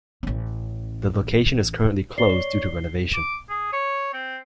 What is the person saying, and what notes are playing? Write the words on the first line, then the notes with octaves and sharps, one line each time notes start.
The location is currently closed due to renovation.
A1 C#4
C#5 D5 C7 G7
D6
G#4
C#5
C4